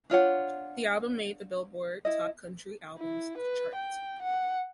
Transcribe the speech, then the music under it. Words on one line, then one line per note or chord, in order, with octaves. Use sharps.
The album made the "Billboard" Top Country Albums chart.
D4 F4 C#5 F#5
E4 D#5
E4
B4
G5
F#5